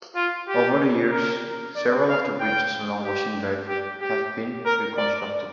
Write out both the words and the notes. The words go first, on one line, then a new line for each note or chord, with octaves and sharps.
Over the years, several of the bridges along Ocean Drive have been reconstructed.
F4
G4
A#4
D5
F5
G5
G4
G4
G4
A#4
D5